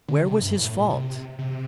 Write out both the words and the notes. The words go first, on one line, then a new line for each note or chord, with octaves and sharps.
Where was his fault?
D3
C3
G2
A2
A#2
C3
C3